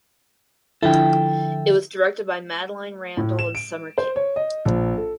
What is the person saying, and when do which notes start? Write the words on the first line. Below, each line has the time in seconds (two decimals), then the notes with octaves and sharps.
It was directed by Madeline Randall and Summer King.
0.83 D3 F3 E4 A4 G5
3.17 A2
3.39 E7
3.55 D7
3.98 C5
4.16 C#5
4.36 D#5
4.65 A#1
4.97 A4